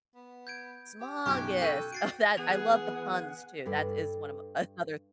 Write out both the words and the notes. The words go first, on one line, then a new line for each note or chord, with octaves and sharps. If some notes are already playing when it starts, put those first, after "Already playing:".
Smaugust. Oh, that I love the puns too, that is one of m another
B3
G6 G#6 D7
G4
B1 F#2 G4 C#6 F#6 G#6
A4 G5 C#6 G6 D#7
F#4 A6 C7 D7
E3 B3 G#4 F#5
G2 A4 B4 D5